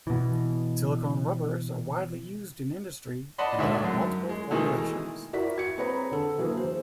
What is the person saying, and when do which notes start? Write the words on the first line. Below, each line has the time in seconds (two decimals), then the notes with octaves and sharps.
Silicone rubbers are widely used in industry, and there are multiple formulations.
0.07 B2 E3
3.38 D5 D#5 F#5 A5 B5 C6
3.58 D2 G#2 C#5 D5 E5
3.84 F#2
4.29 G#3
4.51 B2 D#3 E3 G#3 A3
5.33 E4 F#4 A#4 D5 B6
5.58 G#6 C#7
5.78 C4 G#4 B4 C#5 A#5 B5
6.11 D3 A4
6.38 E3 F#3 A#3 B3 G#4
6.57 C5